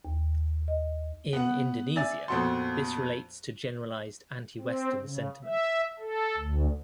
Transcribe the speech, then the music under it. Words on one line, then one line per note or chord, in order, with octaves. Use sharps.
In Indonesia this relates to generalised anti-Western sentiment.
D#2
D#5
B3 F#5
D5 E5 G#5 A6
F2 A#2 B3 F#4 A4 C6
C4
C#3
E5
A4
D2